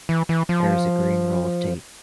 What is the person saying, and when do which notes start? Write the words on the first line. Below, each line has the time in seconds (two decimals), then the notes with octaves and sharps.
There is a green roll of tape.
0.09 E3
0.29 E3
0.49 F3